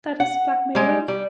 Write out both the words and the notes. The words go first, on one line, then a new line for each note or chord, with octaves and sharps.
That is blackmailing.
F#5
G3 G#3
G3